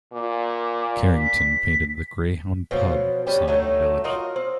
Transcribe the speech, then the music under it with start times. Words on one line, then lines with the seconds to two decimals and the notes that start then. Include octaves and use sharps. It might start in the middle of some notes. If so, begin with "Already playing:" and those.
Carrington painted the Greyhound Pub sign in the village.
0.13 A#2 D6
1.16 B6
2.71 B2 F3 F#3
3.27 G3 C#4 G4
3.48 F#3 A3 D#4
4.04 F4 F#4 A#4 D#5
4.36 C4